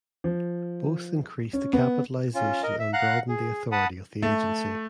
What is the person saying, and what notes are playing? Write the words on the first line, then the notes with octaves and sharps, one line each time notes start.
Both increased the capitalization and broadened the authority of the Agency.
F3
C#4
B3
C#4 F4
A#4 D#5
E5
F5 F#5 A#5 F#6
G#4
F#5 A5 B5 D#6
A3